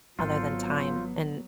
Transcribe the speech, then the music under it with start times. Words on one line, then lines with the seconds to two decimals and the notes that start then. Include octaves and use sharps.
other than time, and,
0.19 G#1 F#3 B3 F4 A4 C5